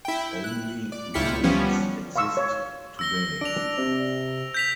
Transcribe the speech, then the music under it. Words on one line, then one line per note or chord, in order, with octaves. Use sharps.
Only ruins exist today.
E4 G5
F#6
D5
C#2 E4 F4 G5 B6 C#7
F3 G3 B3 C#4
F5 C6 C#6 E6
C#5
E6 A#6 G7
D4 D7 F7
C3
G6 B6 F7